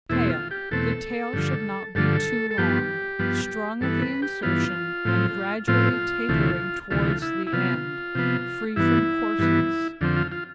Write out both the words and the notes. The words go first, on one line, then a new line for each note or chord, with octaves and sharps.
TAIL--The tail should not be too long, strong at the insertion, and gradually tapering towards the end, free from coarseness.
E2 B2 A3 C4 E4
F4
G4
E2 B2 A3 C4 A4
G2 D3 F3
G2 D3 F3 A4
A4
G2 F3 B3 G4
G2 F3 B3
G2 E3 B3 A4
B4
G4
G2 E3 B3 F4
A2 F3 C4
A2 F3 C4 F4
D2 C3 E3 A3
D2 C3 E3 A3 F4
E4
E4
C3 F3 B3 F4
C3 F3 B3
G2 E3 B3 E4
G2 E3 B3
F2 D3 F3 C4
F4
F4